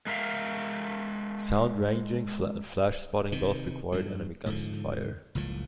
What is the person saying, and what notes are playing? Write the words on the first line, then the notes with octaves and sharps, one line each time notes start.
Sound ranging and flash spotting both required enemy guns to fire.
G#3 A#4 E5 F5
C3 D#3
G2 F#3
G#2 D3 F3
F#1 C#2 A2 F3